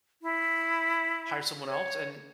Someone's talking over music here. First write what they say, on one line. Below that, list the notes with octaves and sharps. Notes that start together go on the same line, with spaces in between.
hire someone else, and
E4
C#5